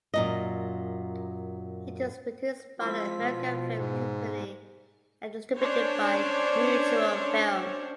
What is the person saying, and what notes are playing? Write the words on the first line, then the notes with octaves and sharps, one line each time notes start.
It was produced by the American Film Company and distributed by Mutual Film.
F#2 A#2 D#5
F3 G#3 C4 E4 E6 B6
B2
G#2
C#4 D4 C5 C#5